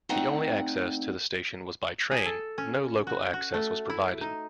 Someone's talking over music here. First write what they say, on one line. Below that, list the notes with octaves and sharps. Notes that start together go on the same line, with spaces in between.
The only access to the station was by train; no local access was provided.
A3 C4 D#4 D5 F#5 G5
G#4
A4
C#4
F#4
F#4
A3
E4
D#4